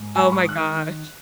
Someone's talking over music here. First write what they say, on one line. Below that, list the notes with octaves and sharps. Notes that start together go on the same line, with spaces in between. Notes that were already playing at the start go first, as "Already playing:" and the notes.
Oh my gosh.
Already playing: G#2
G#3 G#5
B5
C#6
D#6
D#3 F#6